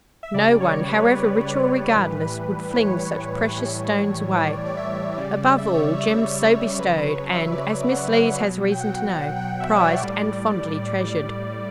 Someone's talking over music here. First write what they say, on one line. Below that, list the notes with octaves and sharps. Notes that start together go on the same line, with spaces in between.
No one, however rich or regardless, would fling such precious stones away; above all, gems so bestowed, and, as Miss Lees has reason to know, prized and fondly treasured.
E5
C#3 G3 D5
C#5
B4
C#5
B4
A2 E3 G3
C#5
A2 E3 G3
D5
D5
E5
C#3 G3 D5
E5
D5
C#5
D5
E5
E5
C#5
C#3 F#3 B4
C#5
E5
D5
E5
F#5
F#5
B2 F#3
G5
F#5
F#5
G5
F#5
E5
C#5
D5
A2 G3